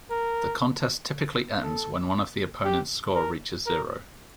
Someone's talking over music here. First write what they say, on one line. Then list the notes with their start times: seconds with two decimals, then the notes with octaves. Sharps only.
The contest typically ends when one of the opponents' score reaches zero.
0.11 A#4
1.62 A4
2.65 G4
3.15 A#4
3.66 A#4